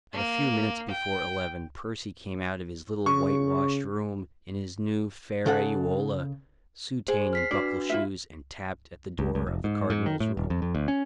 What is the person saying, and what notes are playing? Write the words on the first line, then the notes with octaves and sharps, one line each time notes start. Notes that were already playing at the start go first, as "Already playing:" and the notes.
At a few minutes before eleven Percy came out of his little white-washed room in his new ferraiuola, soutane and buckle shoes, and tapped at the door of the Cardinal's room.
A#3
G5
C#3 C#6
C#3 A4 F#5
G#4 C5
F6 B6 C7
D4 F#4 B4 D5
E4 F4 E5
C#2
C#2
F1
G#2
G#2
D#3
A2
D#1
F2
F2
D2
C#4